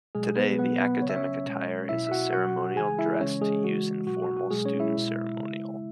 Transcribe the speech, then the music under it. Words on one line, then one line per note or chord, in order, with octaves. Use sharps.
Today the academic attire is a ceremonial dress to use in formal students ceremonial.
B2 F#3 G#3 G#4
B3 B4
B2 F#3 B3 B4
B3 B4
C#3 F#3 C#5
E5
C#4 C#5
B2 G#3
B2 F#3 E4 E5
E5
F#4 F#5
B2 F#3 F#4 F#5
C#3 E3 G#3 G#4 G#5
E4 E5
C#3 E3 G#3 C#4 C#5
G#3 G#4
C#3 E3 G#3 F#4
B2 F#3 F#4
F#4
F#4
B2 F#3 G#3 G#4
C#4 C#5
E4 E5
B2 G#3
C#3 G#3